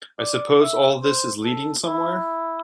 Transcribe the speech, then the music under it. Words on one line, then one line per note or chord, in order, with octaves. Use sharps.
I suppose all this is leading somewhere?
D5
E5
C5
A4
E4